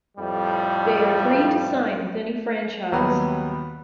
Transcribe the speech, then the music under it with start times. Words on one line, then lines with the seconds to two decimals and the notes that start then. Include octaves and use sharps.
They are free to sign with any franchise.
0.17 F2 A2 G3
2.92 D#2 F#3 G3 B3